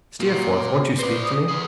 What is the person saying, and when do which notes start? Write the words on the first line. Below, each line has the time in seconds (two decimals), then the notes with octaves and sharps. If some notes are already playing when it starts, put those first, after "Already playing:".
'Steerforth! won't you speak to me?'
0.20 A#2 F#4
0.99 B4 C5 D5
1.25 D#6
1.48 G#4 B4